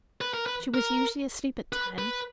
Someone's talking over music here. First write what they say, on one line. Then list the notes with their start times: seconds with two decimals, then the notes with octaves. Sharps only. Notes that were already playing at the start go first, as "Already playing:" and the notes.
She was usually asleep at ten.
0.21 B4
0.34 A#4
0.46 B4
0.74 A#4
1.73 B4
1.98 B4